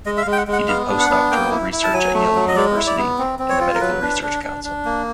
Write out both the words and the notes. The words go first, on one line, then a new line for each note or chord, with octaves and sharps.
He did postdoctoral research at Yale University and the Medical Research Council.
G#3 D#5
E5
F5
G#3
G5
F#5
G#3
F#5
B3 F5
D4
F#5
B3
A#3 G5
E4
E4
A5
F#3 G#5
A3
F#3
D#5
G#3 D5
E4
D5
B3
C4
C4
C#5
F4
A#4
F#3 B4
D4
D4
D4
D4
A#3